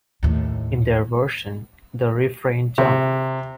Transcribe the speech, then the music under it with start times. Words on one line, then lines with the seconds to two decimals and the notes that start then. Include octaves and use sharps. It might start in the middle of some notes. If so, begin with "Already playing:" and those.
In their version, the refrain Jump!
0.23 D#2 A2
2.78 C3